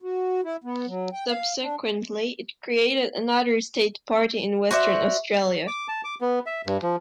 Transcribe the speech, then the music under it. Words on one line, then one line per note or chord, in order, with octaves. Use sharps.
Subsequently, it created another state party in Western Australia.
F#4
E4
B3
F#3
G5
F5
D4
F#4 C5 D5 E5
D6
A5
D6
B3
E5
G2
F3